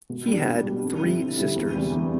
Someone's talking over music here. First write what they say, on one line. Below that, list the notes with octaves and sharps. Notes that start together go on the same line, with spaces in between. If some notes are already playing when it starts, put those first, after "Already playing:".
He had three sisters.
B2
G3
D4
B2
G3 D4
F2
D3 G3 C4 E4
F2
D3 G3 C4 E4
E2
C3 E3 G3 D4
E2